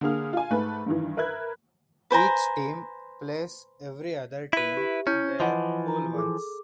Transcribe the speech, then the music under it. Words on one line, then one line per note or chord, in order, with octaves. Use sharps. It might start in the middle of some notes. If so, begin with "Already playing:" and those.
Each team plays every other team in their pool once.
D3 A#3 G#4 F6
F4 G#5
G#2 A3 B4
G2 D#3 E3
A#4 B4 E5 F#6 G#6
B4 C5 G#5 A#5
E4 B4
G4 E5
C#4 E4 G6
E3 F3 D#5 F#5
A#5
G#4 A4 D6